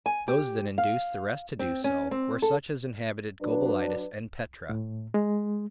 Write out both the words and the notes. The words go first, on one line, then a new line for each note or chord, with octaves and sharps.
Those that induced the rest to do so, were such as inhabited Gobolitis and Petra.
G#5
G4
F5
C4
C#4
C4
A4
F#3 D4 B4
A2
G#3